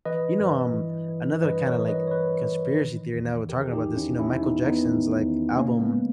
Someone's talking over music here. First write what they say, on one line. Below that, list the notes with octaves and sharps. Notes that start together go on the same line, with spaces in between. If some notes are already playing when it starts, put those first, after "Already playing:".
You know, um, another kinda, like, conspiracy theory, now we're talking about this, you know, Michael Jackson's, like, album,
E3 B4 D#5
G2
E3
E3
G2 B4 D#5
A#4 C#5
E3
B4 D#5
C#5
E3 B4 D#5
E3
D#3
E2
E2 G4 A#4
G#4
D#4 G4
E2
C#4 E4
E2 C#4 E4
B3 D#4
E2
B3 D#4
D#3
E2
C#3 A#3 C#4
A#3
G#3 B3